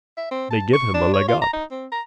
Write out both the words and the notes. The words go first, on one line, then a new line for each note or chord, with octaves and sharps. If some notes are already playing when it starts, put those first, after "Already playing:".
They give him a leg up.
E5
C4
A5
C#6
D4
C#5
F4
A#5
D#4
C4
A#5